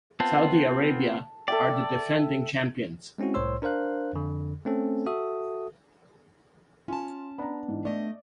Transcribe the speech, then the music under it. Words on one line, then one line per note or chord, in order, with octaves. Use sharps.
Saudi Arabia are the defending champions.
B3 C4 F4 A5
A4 D5 E5 G5
G#3 C4 C#4 E4 F#4
C2 A2 C5 C#5 C6 E6
D4 A#4 C5 F5 F#6
F2 D3
A3 C4 C#4 A4
F#4 A4 E5 D#6
C#4 F4 A5
B3 D4 A#5 B5
G#2 E3
A3 D5 D#5